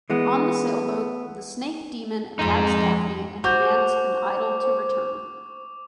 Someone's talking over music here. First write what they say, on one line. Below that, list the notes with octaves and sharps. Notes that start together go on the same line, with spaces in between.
On the sailboat, the snake demon attacks Daphne and demands an idol to return.
E3 G#3 B3
F2 G#3 D#4
F#4 C5 C#6 D6 G6 F7